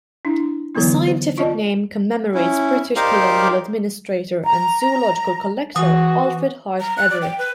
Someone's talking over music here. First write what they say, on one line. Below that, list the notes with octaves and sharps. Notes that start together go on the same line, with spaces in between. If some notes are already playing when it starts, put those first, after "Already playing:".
The scientific name commemorates British colonial administrator and zoological collector Alfred Hart Everett.
D4 E4
D3 E3 F#3 B3 E4
C5
F4 D5 D#5 A5 C#6
C#4 E4
D#4 G4 A#4 C5 D5 F5
A#5
E3 F#4 D#6
A#5
F#6
D5
G5
B4